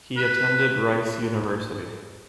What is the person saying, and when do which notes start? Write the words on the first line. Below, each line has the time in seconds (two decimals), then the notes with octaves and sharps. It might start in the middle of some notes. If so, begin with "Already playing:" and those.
He attended Rice University.
0.17 B4